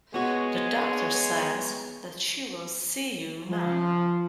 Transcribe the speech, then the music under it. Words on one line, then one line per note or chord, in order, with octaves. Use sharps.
The doctor says that she will see you now.
G#3 B3 F#4 C#5
F3